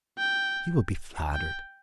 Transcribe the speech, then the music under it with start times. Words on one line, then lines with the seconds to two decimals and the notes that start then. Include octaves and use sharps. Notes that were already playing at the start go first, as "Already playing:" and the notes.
He will be flattered.
0.18 G5
1.34 G5